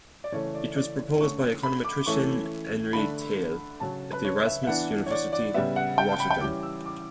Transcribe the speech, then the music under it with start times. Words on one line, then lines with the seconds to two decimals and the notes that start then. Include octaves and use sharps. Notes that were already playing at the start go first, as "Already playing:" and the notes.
It was proposed by econometrician Henri Theil at the Erasmus University Rotterdam.
0.24 D5
0.32 C#3 E3 A3 C#4 C#5
0.55 D5
0.76 D5
1.20 D3 A3 C#4 C#6
1.63 B5
1.84 D6
2.06 E3 A3 C#4 C#6
2.93 D3 A3 D4 B5
3.80 C#3 F#3 C#4 A5
4.13 B4
4.25 C#5
4.46 E5
4.63 E5
4.67 E3 B3 D4 F#5
5.06 C#5
5.11 D5
5.33 D5
5.54 C#3 G3 B3 E5
5.76 F#5
5.98 G5
6.09 A5
6.20 B5
6.30 G5
6.41 E3 G3 C#4 D6
6.63 E6
6.86 D6